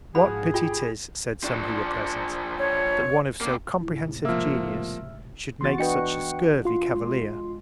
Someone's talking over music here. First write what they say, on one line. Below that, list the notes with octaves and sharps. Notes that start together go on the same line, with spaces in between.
What Pity 'tis, said some who were present, that one of so comprehensive a Genius, should make such a scurvy Cavalier?
G#2 F3 F#4 G#4 B5
F4 G4 G5 B5
F3 D4
C#5
C3 A#3 D6
C#2 A2 C3 E4
F3 A#3 E5 E6 F6
E3 B3 F#4 C6 A6
D4 F#4 B4 D#5 G5 C#7
F4 C6
G#3